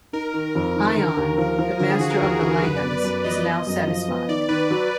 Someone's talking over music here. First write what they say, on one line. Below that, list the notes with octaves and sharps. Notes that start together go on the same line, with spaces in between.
Ion, the master of the lands, is now satisfied.
D#4 A#4
D#3
F2
D#3
D3
D#2
F3
F3
D3 A#4
G#4
F3 F#4
A#4
D#2
D3
F#2 B4
D5
B3
D5
F#2 D5
B3 D#5
B3
F#2
F3
B3
D#3 D5
D#3 B4
F#3